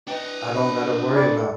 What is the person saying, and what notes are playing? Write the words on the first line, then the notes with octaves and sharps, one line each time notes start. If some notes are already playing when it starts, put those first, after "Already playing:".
"I don't gotta worry about,"
D4 B4 D#5 G5
C5 B5
F4 A4 D5 G5 G#5